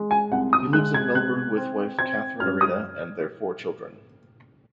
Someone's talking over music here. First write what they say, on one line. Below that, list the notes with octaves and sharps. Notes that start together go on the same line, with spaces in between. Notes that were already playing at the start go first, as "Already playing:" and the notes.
He lives in Melbourne with wife Catherine Arena and their four children.
Already playing: G#3
G#5
C2 F#5
D#6
G#3 F#6
G#6
C3 F#6
C4
C4 G#6
F#2 F6
D#6